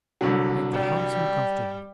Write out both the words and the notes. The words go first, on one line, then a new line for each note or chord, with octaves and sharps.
I make the house uncomfortable.
C2 D3 F#3
G3